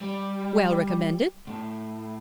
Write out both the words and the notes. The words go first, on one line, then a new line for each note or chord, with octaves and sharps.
"Well recommended?"
G3
A2